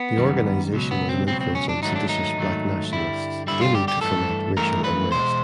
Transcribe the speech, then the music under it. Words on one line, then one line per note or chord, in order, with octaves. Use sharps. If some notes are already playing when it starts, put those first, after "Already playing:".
The organization was an influence on seditious black nationalists, aiming to foment racial unrest.
Already playing: B3
F#2 D#3 G3
C#2 B2 F#3
B3
C4
C#2 B2 F#3 C4
C4
C#4
D4
G#2 D#3 F#3 A3 D#4
D4
D#4
G#2 D#3 F#3 A3
G2 D3 G3 E4
G2 D3 G3 E4
F4
G4
G4
G2 E3 A3 A4
G2 E3 A3 A#4
B4
E2 B2 G#3 C5